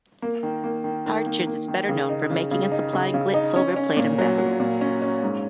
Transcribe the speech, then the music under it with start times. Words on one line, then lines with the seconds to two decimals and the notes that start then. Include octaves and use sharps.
Partridge is better known for making and supplying gilt silver plate and vessels.
0.22 A#3
0.43 D#3
0.64 A#3
0.84 D#3
1.06 D#3
1.26 A#3
1.47 A#3
1.68 D#3
1.89 C#3
2.09 D#4
2.30 C#3
2.51 C#3
2.72 D#4
2.93 C#3
3.14 C#3
3.34 D#4
3.56 C#4
3.76 C#4
3.97 A#2
4.18 F#3
4.38 F#3
4.60 A#2
4.81 C#4
5.02 C#4
5.23 G#2